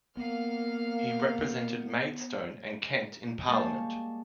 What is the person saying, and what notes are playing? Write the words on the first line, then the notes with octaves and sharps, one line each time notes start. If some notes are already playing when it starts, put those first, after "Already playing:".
He represented Maidstone and Kent in Parliament.
A#3 B3 F5 F6
G3 G#3 A#3 F5 A5 C#6